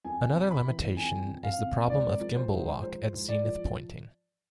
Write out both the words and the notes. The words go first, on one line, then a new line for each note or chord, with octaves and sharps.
Another limitation is the problem of gimbal lock at zenith pointing.
F2 G#5
C3
B5
E3
F2 G#5
F2
F5
C3
G#2 D5
F3
C5
G#2
F3 C5
G#2
D5
F3